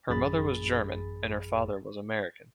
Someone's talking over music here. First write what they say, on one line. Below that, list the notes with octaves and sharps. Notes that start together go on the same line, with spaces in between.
Her mother was German, and her father was American.
A1 F#2 G#4 B5 A6